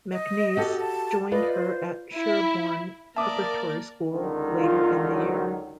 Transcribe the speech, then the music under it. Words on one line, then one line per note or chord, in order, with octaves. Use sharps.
MacNeice joined her at Sherborne Preparatory School later in the year.
D#5
F#4 G4 A4
A5
F4 B4 D5 D#5
C5
E4
A#3 A#4 D5 E5 A5 D6 D#6
C#2 D3 D#3
F4
F#3